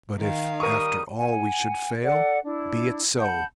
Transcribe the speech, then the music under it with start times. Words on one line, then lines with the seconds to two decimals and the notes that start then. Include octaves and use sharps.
But if after all we should fail, be it so.
0.19 D#3 F5
0.60 G3 A#4 C#6 D#6
1.17 F#5 G#5
2.03 A4 D5 F#5
2.44 D4 E4
3.19 F#5 A5 B5 G6